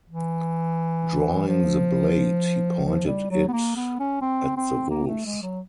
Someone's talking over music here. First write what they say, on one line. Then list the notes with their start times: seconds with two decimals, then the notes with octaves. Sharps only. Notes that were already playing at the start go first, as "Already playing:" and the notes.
Drawing the blade, he pointed it at the wolves.
0.10 E3
1.48 F3
2.85 F3
3.07 G3
3.31 F#3
3.48 B3
3.53 A#3
3.76 B3
4.00 C#4
4.21 C4
4.57 C4
4.90 A#3
5.07 A3
5.26 G#3
5.42 F#3